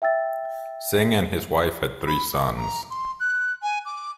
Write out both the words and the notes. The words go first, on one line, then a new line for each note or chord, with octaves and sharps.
Singh and his wife had three sons.
E5 G5 E6 A6
B5
D6
A#5
C6
F#6
G#5
D6